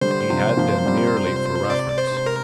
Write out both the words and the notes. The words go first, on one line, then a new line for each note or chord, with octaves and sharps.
He had them merely for reference.
D3 G3 C5
C3 F3
F3 A#3
G3 C4
C3
C3 D5
C5
C3
A#4